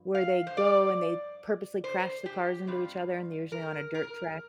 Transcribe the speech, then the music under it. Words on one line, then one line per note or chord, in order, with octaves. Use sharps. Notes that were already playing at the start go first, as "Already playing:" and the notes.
where they go and they purposely crash the cars into each other, and they're usually on a dirt track?
Already playing: G2 F3
F5
C5
D5
C5
G4
G2 G3 C4 F4
A#4
A#4